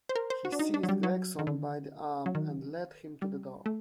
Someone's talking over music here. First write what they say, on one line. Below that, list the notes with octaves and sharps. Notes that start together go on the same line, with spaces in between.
He seized Gregson by the arm and led him to the door.
C5
A#4
C5
F#4
D4
D#4
D4
F#3
G3
F#3
D#3
D3
F#3
D#3
G3
A3